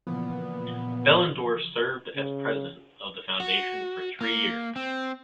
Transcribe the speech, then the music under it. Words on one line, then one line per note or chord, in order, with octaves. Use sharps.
Behlendorf served as president of the foundation for three years.
A#2 C#3 E3 F3 B3
C#3
F#4
A#3
C4